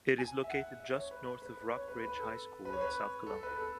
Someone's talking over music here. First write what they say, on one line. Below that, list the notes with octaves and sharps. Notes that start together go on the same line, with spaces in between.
It is located just north of Rock Bridge High School in South Columbia.
G#5
E5
F#5
E5
C#5
B4
B4
B4
C#5
B4
B4
A4
B4
C#5
B4
A4
B4
A4